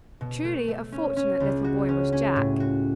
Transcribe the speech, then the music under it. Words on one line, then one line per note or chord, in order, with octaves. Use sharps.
Truly a fortunate little boy was Jack!
B2
A3
A3
C#4
C#4
C#2
F#4
C#4
C#4
A2
F#4